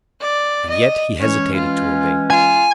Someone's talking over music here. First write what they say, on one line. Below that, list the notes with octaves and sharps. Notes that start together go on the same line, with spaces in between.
And yet he hesitated to obey.
D5
D#5
E3 G#3 C#4 C#5
F4
F4 G#5